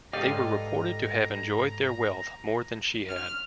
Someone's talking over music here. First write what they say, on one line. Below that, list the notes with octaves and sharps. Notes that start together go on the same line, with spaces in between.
They were reported to have enjoyed their wealth more than she had.
G#2 G4 A4 B4 D5 D#5 F5 A#5
F6